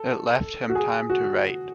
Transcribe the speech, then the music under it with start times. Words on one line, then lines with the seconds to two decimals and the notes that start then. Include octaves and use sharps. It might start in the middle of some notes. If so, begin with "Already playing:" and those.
It left him time to write.
Already playing: A4
0.69 F#4
0.75 G#4
1.10 F#4